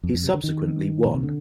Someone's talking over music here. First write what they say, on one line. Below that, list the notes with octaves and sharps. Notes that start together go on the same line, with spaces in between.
He subsequently won.
F2
F2
C3
D3
D#3
A#2
C3
D3